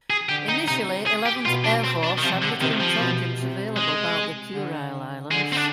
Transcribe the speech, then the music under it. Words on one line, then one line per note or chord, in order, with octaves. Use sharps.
Initially Eleventh Air Force had little intelligence available about the Kurile Islands.
G#4
D3 G4
D#4
C3 D#4
G#4
G4
B2 F4
D4
C4
D4
D#3
C3 F3
D3
C3 D#3
F3
B2
C3
G#3
D3
D3 G#3
C4
D4